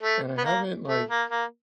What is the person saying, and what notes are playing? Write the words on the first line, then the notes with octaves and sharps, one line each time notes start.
and I haven't, like,
A3
B3
A#3
A3
A#3
A#3